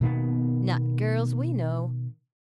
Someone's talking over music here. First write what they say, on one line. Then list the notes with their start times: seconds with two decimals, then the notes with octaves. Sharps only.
"Not girls we know."
0.01 B2 D#3 A#3 B3